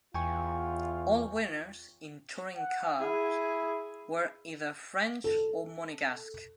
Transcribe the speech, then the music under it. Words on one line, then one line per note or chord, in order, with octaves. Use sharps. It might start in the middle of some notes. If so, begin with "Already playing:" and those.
All winners, in touring cars, were either French or Monegasque.
E2 F4 G5 G#5 C#6
F#5
E4 G#4
A4